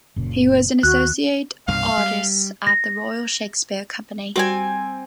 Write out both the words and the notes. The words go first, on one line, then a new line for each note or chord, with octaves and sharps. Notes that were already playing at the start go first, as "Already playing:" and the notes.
He was an Associate Artist at the Royal Shakespeare Company.
F#1 A#2 C#3
D#2 F#4 F#6
C2 G2 B2 F5
G3
A#6
G3 C4 F#4 G5 G#5